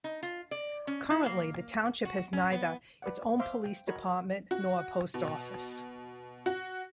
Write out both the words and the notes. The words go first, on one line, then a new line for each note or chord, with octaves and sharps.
Currently, the township has neither its own police department nor a post office.
D#4
F4
D5
C#4
E4
A#3
F#4
C#4
B3
B4 D5 F#5
C5 E5 F5 C6 D6
G5
F#4 A#4 C#5 D#5 B5
F#4
B2
F#4